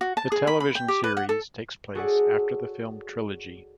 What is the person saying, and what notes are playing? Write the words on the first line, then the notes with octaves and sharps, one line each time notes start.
The television series takes place after the film trilogy.
F#4
A5
G#4
B5
B5
G5
G4
B4
F#5
A4
F#4 G#4 A4 C#5 D5 F#5